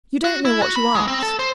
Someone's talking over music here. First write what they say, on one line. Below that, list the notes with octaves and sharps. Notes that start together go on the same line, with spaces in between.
"You don't know what you ask."
F#4
E4
F#4
B5
G#3
C4
A4
C5